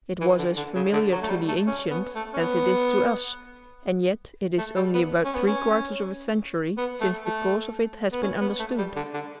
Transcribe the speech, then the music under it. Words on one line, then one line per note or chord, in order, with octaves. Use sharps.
It was as familiar to the ancients as it is to us, and yet it is only about three-quarters of a century since the cause of it has been understood.
E3
D3
D3
C#3
D3
F#3
A3
G3
A3
C#4
B3
A3
C#4
B3
A3
G3
B3
C#4
B3
C#4
B3
A3
A3
B3
C#4
B3
A3
G3
D3
D3